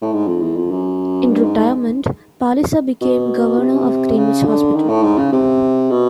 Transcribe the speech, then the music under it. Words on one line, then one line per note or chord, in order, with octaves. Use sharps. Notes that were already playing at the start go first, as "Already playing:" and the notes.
In retirement Palliser became Governor of Greenwich Hospital.
A2
G#2
F2
E2
F2
F#2
G2
G#2
G#2
B2
C3
C#3
D3
D#3
A2
G#2
C#3
C3
B2